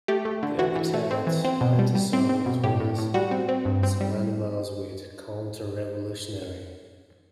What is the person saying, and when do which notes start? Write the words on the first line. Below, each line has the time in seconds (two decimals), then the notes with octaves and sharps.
The epithet "antisoviet" was synonymous with "counter-revolutionary".
0.08 A3 G4
0.25 A3
0.43 D3
0.59 E3 F#4
0.76 E3
0.94 A3
1.11 C4
1.27 E3
1.44 C4
1.61 B2
1.79 G3
1.95 G3
2.13 C4
2.29 C4
2.46 B2
2.64 A2 G4
2.80 A2
2.98 A2
3.14 G3 F#4
3.31 C4
3.49 C4
3.65 G2
3.83 C4
4.01 G3